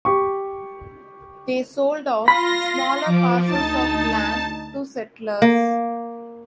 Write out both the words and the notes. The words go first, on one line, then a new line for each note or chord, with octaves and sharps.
They sold off smaller parcels of land to settlers.
G4 C#6
F4 B5 C6 A#6
F3 D6
D2 D#4 A5 A6
A#3